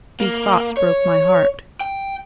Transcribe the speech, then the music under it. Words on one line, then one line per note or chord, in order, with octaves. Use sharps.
These thoughts broke my heart.
A#3
C#5
G5